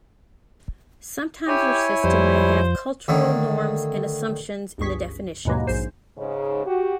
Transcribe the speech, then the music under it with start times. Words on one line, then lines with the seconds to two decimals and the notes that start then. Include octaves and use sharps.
Sometimes your system may have cultural norms and assumptions in the definitions.
1.48 E4 G4 C#5 G#5
2.04 F2 F3 G3 C5
3.08 A2 D3 D#3
4.78 G1 C#2 G2 G#4 C#6 B6
5.45 D#2 G#2 B2 F#3 G#3 A#3
5.67 A#1 G#2 C5
6.17 G#2 C#3
6.66 F#4 G4